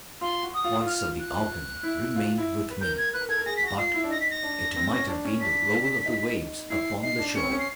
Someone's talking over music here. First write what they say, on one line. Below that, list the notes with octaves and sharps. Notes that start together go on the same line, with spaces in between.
The voice of the organ remained with me, but it might have been the roll of the waves upon the shore.
F4 C6
F#4
D#6
F4
F#4
F4
F6
F#6
E4
F4
E4
B4
A#4 G6
G#6
B4 F#6
A#4
A4 G#6
A#4
G#4 A#6
B6
F#4 A#6
F4 C7
E4
D4
D#4 A#6
B6
A#6
D4
C4
C#4
D4
C#4
D4 B6
D#4
E4 C7
D#4 C7
D4
C#4 C#7
C4
C#4
C7